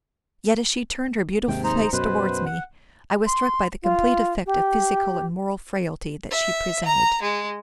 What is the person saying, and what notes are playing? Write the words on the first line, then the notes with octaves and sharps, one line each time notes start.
Yet, as she turned her beautiful face towards me, I was struck by the complete effect of physical and moral frailty that she presented.
D#2 G#2 C3 G5
D#4 C5 A#5
F#2 B2 B4 C5
F#5
C6
F4
G4
E5
A#5
G#3